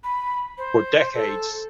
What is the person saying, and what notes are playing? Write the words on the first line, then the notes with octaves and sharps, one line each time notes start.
For decades.
B5
C5
A4